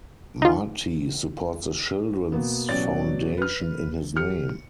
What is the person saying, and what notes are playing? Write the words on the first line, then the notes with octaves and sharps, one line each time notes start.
Marte supports a children's foundation in his name.
D#4 F4
B2 A#3 B3
A1 B2 F#3 C#5 D5 A6
B4 F6
G4 F6 C#7